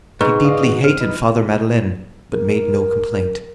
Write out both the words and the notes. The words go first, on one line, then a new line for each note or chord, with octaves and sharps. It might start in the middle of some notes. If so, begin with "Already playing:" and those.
She deeply hated Father Madeleine, but made no complaint.
G#2 G#4 B4 C#6
D5 D#5 F5
D#3 F#4
C4 F6
D#4 B4
A#4